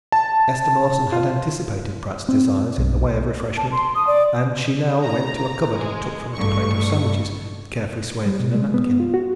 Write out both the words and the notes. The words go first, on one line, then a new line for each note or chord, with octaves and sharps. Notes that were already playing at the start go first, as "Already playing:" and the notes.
Esther Mawson had anticipated Pratt's desires in the way of refreshment, and she now went to a cupboard and took from it a plate of sandwiches, carefully swathed in a napkin.
A5
F4
C4
B1
A5
C6
D#6
D5
A#5
G#3
A1 G2 A3 C#6
G3
B2
G#3
B3
F4
F#4